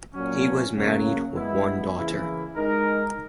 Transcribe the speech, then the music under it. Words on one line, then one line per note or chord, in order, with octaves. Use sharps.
He was married with one daughter.
A#2 F#3 C#4
F#2 C#3 F#3 A#3
G#3 B3 E4
C#3 E3 A#3 E4 G#4
G#3 D#4 A#4